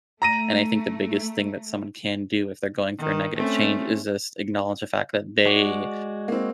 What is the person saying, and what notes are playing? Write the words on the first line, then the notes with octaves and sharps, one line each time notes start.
and I think the biggest thing that someone can do, if they're going through a negative change, is just acknowledge the fact that they
A3 A#5 A#6 D#7
D#3
A3 C4 C#4
G#3 F#4 D5
A#3 C4